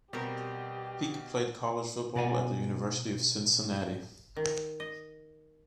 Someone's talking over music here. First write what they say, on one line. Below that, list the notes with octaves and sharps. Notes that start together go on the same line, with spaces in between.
Peek played college football at the University of Cincinnati.
B2 G3 C4 G4 A#4
B2 F#4 D5 F#5 G#5
D#3
D#5